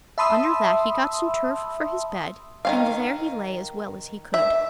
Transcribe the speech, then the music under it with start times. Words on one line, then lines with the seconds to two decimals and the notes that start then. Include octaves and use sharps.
Under that he got some turf for his bed, and there he lay as well as he could.
0.18 E5 A5 B5 C6 D#6 E6
2.65 D#3 C#4 F5
4.34 E5